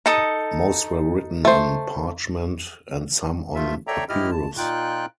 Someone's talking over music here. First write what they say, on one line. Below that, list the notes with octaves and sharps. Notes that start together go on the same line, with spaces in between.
Most were written on parchment and some on papyrus.
D#4 A4 A#5 D#6
A3 C5
G2 A3 F4 E5
A4 C#5 D5 E5 G5 A#5
G#2 E4 G4 D#5 F6
A5
A#2 D#4 F4 G5 F#6